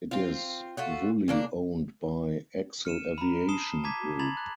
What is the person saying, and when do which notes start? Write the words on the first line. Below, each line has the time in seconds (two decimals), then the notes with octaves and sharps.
It is wholly owned by ExelAviation Group.
0.11 C4 F4
0.77 A3 F4 F#4
1.28 C#3 A#3 D4
2.85 F6 C#7 D#7 E7
3.18 A#5 B5
3.48 A5 D#6 C7 E7 G7
3.84 A5 A#5 D6 G#6 B6
4.19 A#5 B5 G#6 A6 F7 F#7
4.37 F#6